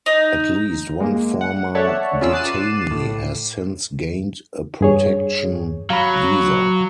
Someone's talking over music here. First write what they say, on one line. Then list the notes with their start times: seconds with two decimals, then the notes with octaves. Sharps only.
At least one former detainee has since gained a protection visa.
0.06 D#4
1.00 G#3 A#3
1.41 F#5
1.75 A4 C#5 D5 E5 F#5 A5
2.21 C#3 C#4 F4 G#4 A#4 E6
2.32 D6 F#6 A6 C7 D#7 E7
2.91 A2
4.81 G2 G#4 C#5
5.90 F#3 F5 B5